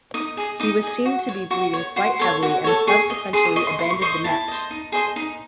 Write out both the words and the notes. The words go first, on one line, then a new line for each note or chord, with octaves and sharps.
He was seen to be bleeding quite heavily and subsequently abandoned the match.
D#4 D#6
G#4 D#5
D#4 D#6
G#4 D#5
F#4
C#5
F#4 C#6
C#5
F#4 C6
A4 C#5
F#4
A4 C#5
G#4 C#6
D#5
G#4 C6
D#6
D#5 C#6
C6
E4 C6
C#6
C5 D#5 C#6
E4 A5
C5 D#5
D#4
G#4 C5 D#5
D#4